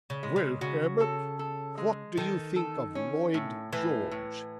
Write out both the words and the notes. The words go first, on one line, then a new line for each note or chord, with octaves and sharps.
"Well, Herbert, what do you think of Lloyd George?"
C#3
G#3
C#3
C#3 F#4
A4
A4
G#3
D#3 A4
A4
C#4
A2
A2 E3
A2